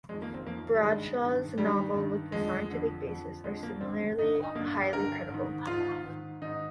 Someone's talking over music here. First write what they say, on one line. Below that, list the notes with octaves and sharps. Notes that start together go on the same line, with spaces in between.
Bradshaw's novels with a scientific basis are similarly highly credible.
F2 D#3 G#3
A#3
C4
F2 D#3 A#3
G3
G2 D#3 G#3
G2 D#3
G2 D#3 G3
G2 D#3
F2 D3 G#3
F2 D3
F2 D3
F2 D3 G#3
A#3
G2 D3 C4
G2 D3 D#4
D#4
G2 D3 A#3
G4
G2 D3 A#4
G#2 D#3
G#2 D#3 F4
G#2 D#3
G#2 D#3 D#4